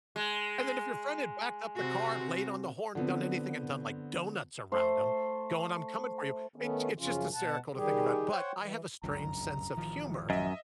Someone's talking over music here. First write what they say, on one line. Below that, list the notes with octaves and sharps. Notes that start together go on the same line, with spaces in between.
And then if your friend had backed up the car, laid on the horn, done anything, and done, like, donuts around him going, "I'm coming for you." It it's just hysterical to think about it, but I have a strange sense of humor
G#3
C3 C4 F#4
D3 F3 B3 C4
A3 C5
D#3 A3 B3 C#4
F#2 C#3 F3 C#4 F4
B2 F#5 A5
D#3 G3 G4 G#4
C5 C#5 F#5 G5
E3
G1 C#2 F#2 A#5
A1 D#3 F3
F#2 D#5 E5